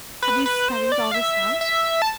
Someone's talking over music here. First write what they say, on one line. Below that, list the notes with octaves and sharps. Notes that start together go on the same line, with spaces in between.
"Have you studied all this out?"
B4
B4
C5
D5
F5
E5
E5
A5